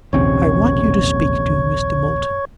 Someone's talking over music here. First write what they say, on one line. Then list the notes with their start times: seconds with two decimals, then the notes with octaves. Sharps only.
'I want you to speak to Mr. Moulton....
0.13 E1 A#1 D#2 C3 C4 C#4 C#5